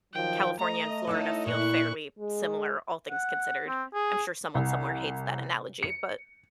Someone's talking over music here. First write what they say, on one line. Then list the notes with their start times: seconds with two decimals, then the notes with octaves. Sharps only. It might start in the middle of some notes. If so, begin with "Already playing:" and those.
California and Florida feel fairly similar, all things considered. I'm sure someone somewhere hates that analogy, but,
0.14 D#3 F3 F#3 G5
0.59 A3 D#5 A#5
1.07 D#4 E4 A4 C#5 F#5
1.46 A#2 E4 C#6 F#6
2.19 G#3
3.11 F#5
3.68 C4
3.94 G#4
4.55 C2
5.83 C#7